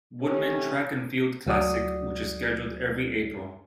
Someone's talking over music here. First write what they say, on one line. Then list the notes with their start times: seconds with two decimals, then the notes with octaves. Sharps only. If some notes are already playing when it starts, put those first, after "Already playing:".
Woodman Track and Field Classic, which is scheduled every April.
0.20 C3 A3 C#4
1.46 D2 F#3 F#4 D5 D#6